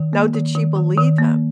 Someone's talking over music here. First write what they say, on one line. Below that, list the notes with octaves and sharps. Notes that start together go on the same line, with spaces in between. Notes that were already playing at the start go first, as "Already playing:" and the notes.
No. Did she believe him?
Already playing: D#3
A#3
D#3
D#3
D#3
D#3
A#3